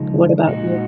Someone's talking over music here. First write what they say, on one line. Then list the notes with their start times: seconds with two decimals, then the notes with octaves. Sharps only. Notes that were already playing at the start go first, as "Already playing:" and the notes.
what about you?
Already playing: C#3 F3 G#3 D#4
0.47 A#2 G#3 D#4 F#4